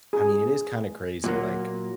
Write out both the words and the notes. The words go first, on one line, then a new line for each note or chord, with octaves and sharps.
I mean, it is kinda crazy, like,
G#4
A#2 F#3 A#3